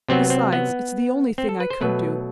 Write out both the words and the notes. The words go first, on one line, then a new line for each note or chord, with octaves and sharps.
Besides, it's the only thing I could do.
C3 F#3 B3 C4
C4
B3
C4
A4
B4
C5
B2 F#3 A3 B4